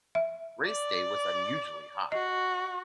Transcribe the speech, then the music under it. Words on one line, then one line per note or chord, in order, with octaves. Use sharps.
Race day was unusually hot.
E5
D5
F#4 D#5